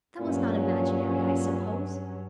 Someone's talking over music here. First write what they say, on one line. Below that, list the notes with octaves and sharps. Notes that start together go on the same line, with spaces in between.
"That was not imaginary, I suppose!"
G2 A#2 F#3 C#4